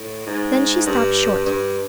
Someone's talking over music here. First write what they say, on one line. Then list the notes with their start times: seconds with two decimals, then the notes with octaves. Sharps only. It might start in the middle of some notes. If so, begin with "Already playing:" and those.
Then she stopped short.
Already playing: A2
0.27 G#2
0.86 G2
1.46 G2